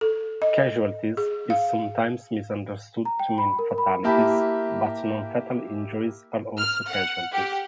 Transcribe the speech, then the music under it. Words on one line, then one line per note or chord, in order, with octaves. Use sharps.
"Casualties" is sometimes misunderstood to mean "fatalities", but non-fatal injuries are also casualties.
A4
D#5
G#4
F5
A#5
G5
B5
A#4
B5
A#3 E4 G4 A5 B5
F6
F#5
G4